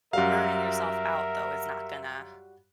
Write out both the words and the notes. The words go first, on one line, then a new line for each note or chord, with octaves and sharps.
burning yourself out though is not gonna
F#2 G3 F#4 A#4 E5 F5